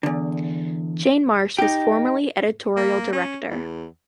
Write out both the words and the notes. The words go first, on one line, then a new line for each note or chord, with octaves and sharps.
Jane Marsh was formerly editorial director.
E2 D3
D#4 G4
A#3
C#4
E2